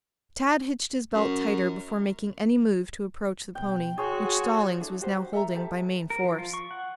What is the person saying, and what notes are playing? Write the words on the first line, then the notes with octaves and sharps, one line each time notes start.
Tad hitched his belt tighter before making any move to approach the pony, which Stallings was now holding by main force.
F#2
B2 G5
F#4 G#4 C#5 C6
D4 E4 A4
F#4 G4 C5
A4 E5 A#5
G4 A4 C5 E5
A#4
F3
F4
C#6
F#5